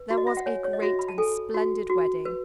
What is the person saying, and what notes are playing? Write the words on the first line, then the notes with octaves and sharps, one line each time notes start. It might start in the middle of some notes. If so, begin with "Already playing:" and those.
There was a great and splendid wedding.
Already playing: B4
F#4
D#5
E5
F#5
C#5 G#5
C#5
D#5
F#4 E5
B5
A5
A4 G#5
F#4
F#4
B4